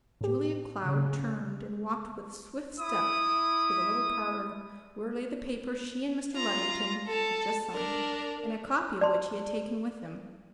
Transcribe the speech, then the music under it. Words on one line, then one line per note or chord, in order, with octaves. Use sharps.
Julia Cloud turned and walked with swift step to the little parlor where lay the paper she and Mr. Luddington had just signed, and a copy of which he had taken with him.
A2 G4
C#3
E4 D#6
F4 A#5
A4 A5
D4 A#4
D5 A5 C6